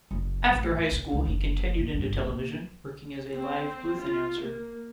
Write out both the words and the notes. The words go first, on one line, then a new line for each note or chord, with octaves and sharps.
After high school he continued into television, working as a live booth announcer.
F#1
A1
A2
C#3
C#2
F#1
A#2
G2
A1
A#2
C4
F4
A#3